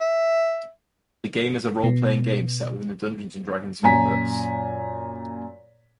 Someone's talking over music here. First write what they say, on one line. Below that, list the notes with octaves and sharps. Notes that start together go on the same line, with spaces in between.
The game is a role-playing game set within the "Dungeons and Dragons" universe.
E5
B2
F#2 A#2 G#5 A#5 B6